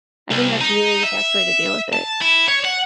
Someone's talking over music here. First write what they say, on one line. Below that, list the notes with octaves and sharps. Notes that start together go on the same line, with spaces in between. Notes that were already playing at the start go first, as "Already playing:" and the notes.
I think that's really the best way to deal with it.
C2
D#4
E5
A5
E4
C#5
F#5